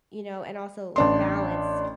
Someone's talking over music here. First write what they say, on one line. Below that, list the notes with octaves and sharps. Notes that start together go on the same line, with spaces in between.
You know, and also, like, balance
A1 D4 C6